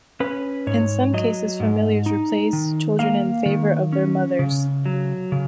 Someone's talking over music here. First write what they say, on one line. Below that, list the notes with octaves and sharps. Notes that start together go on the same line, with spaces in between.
In some cases familiars replace children in the favour of their mothers.
C#4 B4
G#2 C#5
F#3 D#5
G#2
D#4
D#3
A#3 F5
D#3
C#4
C#3
F#3
C#3